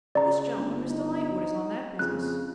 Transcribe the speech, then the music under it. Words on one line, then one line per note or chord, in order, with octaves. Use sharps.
'This gentleman, Mr Lightwood, is on that business.'
C#3 D5 A#5
G1
D#4
F2 C#3 F#6